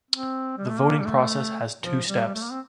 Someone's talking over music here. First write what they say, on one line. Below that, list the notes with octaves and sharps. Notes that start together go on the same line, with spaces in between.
The voting process has two steps.
C4
G3
A3
A#3
G3
A3
F3
G3
G3
A3
A#3
C4